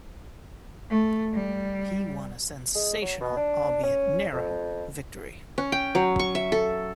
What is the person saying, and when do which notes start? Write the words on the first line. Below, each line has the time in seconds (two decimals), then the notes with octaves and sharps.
He won a sensational, albeit narrow, victory.
0.90 A3
1.34 G3
2.75 G#3
3.02 F#3
3.21 B2
3.37 D4
3.83 C#4
4.33 F2
5.58 C#4
5.72 G5
5.95 F#3
6.19 C#6
6.35 E5
6.52 A4